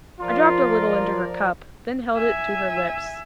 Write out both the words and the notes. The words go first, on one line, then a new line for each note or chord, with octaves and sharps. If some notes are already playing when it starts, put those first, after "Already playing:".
I dropped a little into her cup, then held it to her lips.
F3 F4 A#4 D5
E5 G#5